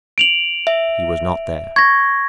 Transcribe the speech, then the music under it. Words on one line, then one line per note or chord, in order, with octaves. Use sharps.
He was not there.
D7 F7 F#7
E5
C#6 G#6 A#6